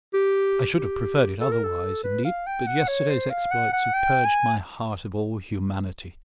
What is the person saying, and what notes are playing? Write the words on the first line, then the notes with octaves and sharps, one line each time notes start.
I should have preferred it otherwise, indeed; but yesterday's exploits had purged my heart of all humanity.
G4
G4
A4
A#4
A4
B4
F5
G5
F#5
C#5
C5
F5
F#5
F#5
G5
G#5